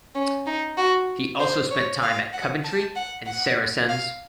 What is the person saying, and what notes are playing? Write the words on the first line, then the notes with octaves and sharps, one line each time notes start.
He also spent time at Coventry and Saracens.
C#4
D#4
F#4
C5
C#5
F5
F#5
A5
F#5
F#5
F5